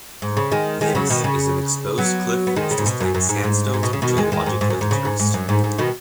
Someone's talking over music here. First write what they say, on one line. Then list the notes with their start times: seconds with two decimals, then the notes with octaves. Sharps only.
This is an exposed cliff face displaying sandstones of geological interest.
0.22 G#2
0.37 C#3
0.52 D#3 G#3
0.81 D#3 G#3
0.95 C#3 F#3
1.10 B2 D#3
1.24 C#3
1.98 F#3 B3
2.47 B3
2.56 D#3 G#3
2.71 C#3
2.78 G#2
2.86 B2
3.00 F#2
3.15 F#2
3.29 G#2
3.44 G#2
3.74 G#2
3.83 B2
3.93 C#3
4.02 B2 D#3
4.17 D#3 G#3
4.32 D#3 G#3
4.46 G#2
4.61 G#2
4.70 F#2
4.81 G#2
4.91 C#3
5.05 G#2
5.19 G#2
5.34 F#2
5.49 G#2
5.64 G#2
5.78 B2 D#3